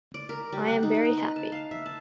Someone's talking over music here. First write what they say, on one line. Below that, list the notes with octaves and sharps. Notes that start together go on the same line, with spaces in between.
I am very happy.
D5
A#4
G3
F#5
D#4
D#5
B4
A5
F5
E5
A5